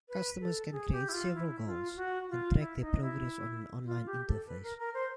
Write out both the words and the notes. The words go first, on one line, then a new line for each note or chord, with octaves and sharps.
Customers can create several goals and track their progress on an online interface.
B4
A4
G#4
G4
E4
F4
E4
F4
F#4
F4
E4
D#4
E4
F4
G4
A4
B4
A#4
A#4
C5